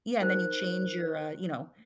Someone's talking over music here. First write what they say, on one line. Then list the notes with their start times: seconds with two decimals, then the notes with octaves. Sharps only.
Yeah, and then you change your, uh, you know,
0.21 D#4 A#4 C5 F#6